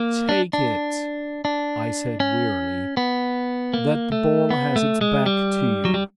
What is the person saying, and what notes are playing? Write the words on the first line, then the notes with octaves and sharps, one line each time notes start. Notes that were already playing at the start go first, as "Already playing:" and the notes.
"Take it," I said wearily, "that the ball has its back to you."
Already playing: A#3
D4
D4
D4
C#4
B3
A#3
A3
B3
A3
G#3
G3
F#3
G3